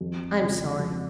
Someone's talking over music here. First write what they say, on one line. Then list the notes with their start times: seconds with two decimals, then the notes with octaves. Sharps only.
I'm sorry.
0.01 F2
0.40 C#3 G#3
0.79 F2